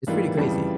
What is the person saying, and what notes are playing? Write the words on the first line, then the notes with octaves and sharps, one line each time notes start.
It's pretty crazy.
G#2 E3 G3 A#3 F4
F2 C#3 E3 G3